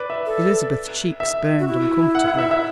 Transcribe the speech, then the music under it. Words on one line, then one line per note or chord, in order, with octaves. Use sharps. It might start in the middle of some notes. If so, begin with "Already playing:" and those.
Elizabeth's cheeks burned uncomfortably.
Already playing: B4 D5
E5
A4
E5
F#4
E4
F#5
F#5
E5
E5